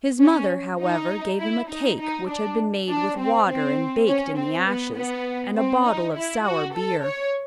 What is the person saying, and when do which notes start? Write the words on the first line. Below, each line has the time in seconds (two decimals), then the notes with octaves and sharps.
His mother, however, gave him a cake which had been made with water and baked in the ashes, and a bottle of sour beer.
0.21 C#4
0.81 D#4
1.40 E4
1.70 D#4
2.00 D#4
2.29 D4
2.89 D4
3.18 C4
3.47 C4
4.08 C#4
4.37 C4
4.66 B3
4.97 B3
5.55 C4
5.85 D#4
6.16 E4
6.45 F#4
6.75 A4
7.04 C#5